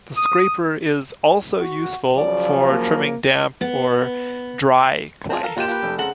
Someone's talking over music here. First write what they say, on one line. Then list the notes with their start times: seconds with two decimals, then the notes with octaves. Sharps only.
The scraper is also useful for trimming damp or dry clay.
0.17 D#6
1.60 F#4
2.18 C#3 F3 F#3 D5
2.69 A#3
3.61 B3
5.30 C4 F4 G#4 A5
5.43 A4 A#4 F5
5.57 F#3 G#3 A#3 F4 G4 E7
5.68 F3 B4
5.83 F1
5.98 C#3 C4 A4 A#4 F#5 F#7